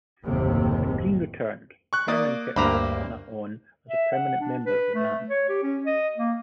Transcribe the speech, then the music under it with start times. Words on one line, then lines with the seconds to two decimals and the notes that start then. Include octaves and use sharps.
When Green returned, Herman kept Fontana on as a permanent member of the band.
0.25 F#1 D#2 A2 C3
1.93 C#6 F#6
2.08 A#3 D5 D#6
2.56 D2 G2 A#3 C5 A#5 B5 D6
3.90 E5
4.12 F#5
4.40 D4
4.66 B4
4.95 A3
5.29 C#5
5.49 G4
5.63 C#4
5.86 D#5
6.17 A#3